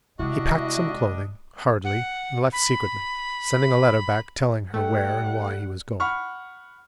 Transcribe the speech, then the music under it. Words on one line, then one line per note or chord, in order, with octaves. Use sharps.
He packed some clothing hurriedly and left secretly, sending a letter back telling her where and why he was going.
C3 G3 G#3 D4 E4 F#4 D#5
F#5
B5
G3 A3 F#5 G5
F#5 B5 C#6 F6